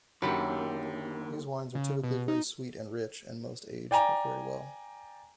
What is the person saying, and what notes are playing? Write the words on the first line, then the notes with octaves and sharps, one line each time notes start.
These wines are typically very sweet and rich, and most age very well.
F#2 D3 D#3 F#3 A#3 G4 A4 B5
C#3
B2
D#4
D5 G5 G#5 A#5